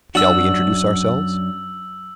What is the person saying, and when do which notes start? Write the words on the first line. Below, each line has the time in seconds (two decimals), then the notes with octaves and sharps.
Shall we introduce ourselves?
0.15 F#2 D4 F#4 E6 F#7